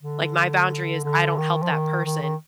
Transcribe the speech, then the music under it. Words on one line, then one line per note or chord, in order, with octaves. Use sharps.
Like, my boundary is I don't help that person,
D3
D3
D#3
F3
D#3
D#3
D#3